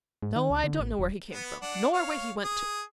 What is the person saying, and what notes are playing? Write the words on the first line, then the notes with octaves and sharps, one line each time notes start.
No, I don't know where he came from nor where he went to.
G#2
D#3
C#2
D3
A1
D#1
B3 B4
D4 F#5
C#5 F5
G#4 D#6